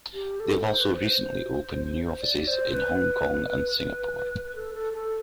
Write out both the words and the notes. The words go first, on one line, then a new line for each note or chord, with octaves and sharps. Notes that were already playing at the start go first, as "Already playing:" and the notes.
They have also recently opened new offices in Hong Kong and Singapore.
G4
A4
C5
B4
C5
D5
C5
B4
B4
A4
A4
A4